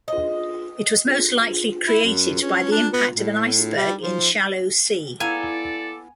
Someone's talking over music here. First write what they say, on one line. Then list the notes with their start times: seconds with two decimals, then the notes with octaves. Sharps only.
It was most likely created by the impact of an iceberg in shallow sea.
0.08 D#5
1.88 E4
2.04 F#2
2.42 C#4
2.72 D4
2.93 B3
3.15 A2
3.77 G3
4.02 F3
5.20 B3 A4 D5 F5 G#5 A#5